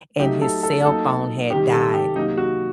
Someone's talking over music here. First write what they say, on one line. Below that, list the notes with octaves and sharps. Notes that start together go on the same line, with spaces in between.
and his cell phone had died.
F#3 A3 D#4 G4
A4
A4
F#3 A#3 D#4 A4
C3 D#3 G3 G4
A4
G4
C3 F#3 A#3 D#4
F#4